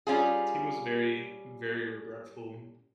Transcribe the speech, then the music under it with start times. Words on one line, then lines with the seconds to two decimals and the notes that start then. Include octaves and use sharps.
Temu's very, very regretful,
0.07 G3 C#4 F4 G#4